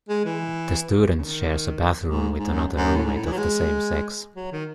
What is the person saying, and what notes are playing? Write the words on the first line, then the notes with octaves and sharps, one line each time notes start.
The student shares a bathroom with another roommate of the same sex.
G#3
E3
C#3
D#3
G#2
G#2
F#2
F#2
A2
G#2
A2
E3
F#3
G#3
F#3
D#3